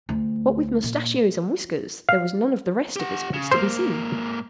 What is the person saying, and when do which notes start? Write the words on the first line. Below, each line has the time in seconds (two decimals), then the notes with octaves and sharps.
What with mustachios and whiskers, there was none of the rest of his face to be seen.
0.09 D2
0.83 A#2
2.09 F5
2.96 G4 F#5
3.34 C#3
3.51 G#2 A#3 C5